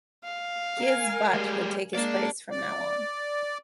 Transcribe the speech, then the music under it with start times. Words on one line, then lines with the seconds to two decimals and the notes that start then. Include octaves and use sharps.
Gizz Butt would take his place from now on.
0.24 F5
0.78 A#4 G#5
1.34 G3 G#3
1.95 G#3 A#3 D4 D5
2.51 D5